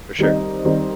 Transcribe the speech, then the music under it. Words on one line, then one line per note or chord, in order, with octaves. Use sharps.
for sure.
D#3 G3 C4 D#4
D#3 G3 C4 D#4